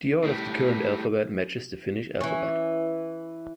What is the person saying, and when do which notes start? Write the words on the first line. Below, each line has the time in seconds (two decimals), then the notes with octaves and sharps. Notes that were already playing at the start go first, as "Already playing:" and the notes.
The order of the current alphabet matches the Finnish alphabet.
0.24 A2 G3
2.21 E3 C#4